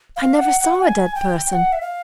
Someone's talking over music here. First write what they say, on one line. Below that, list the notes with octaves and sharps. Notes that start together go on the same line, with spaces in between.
'I never saw a dead person.
F5
F#5
F#5
G#5
G5
G5
F#5
E5
F5